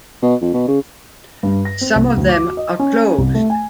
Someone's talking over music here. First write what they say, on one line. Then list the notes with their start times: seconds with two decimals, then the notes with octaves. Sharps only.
Some of them are closed.
0.23 B2
0.42 F2
0.54 B2
0.68 C#3
1.43 G2
1.65 A#6
1.81 C4
1.95 C2
2.17 D2
2.29 D6
2.44 F#4
2.57 D#5
2.80 C#4
3.18 C2
3.34 A3
3.50 G#5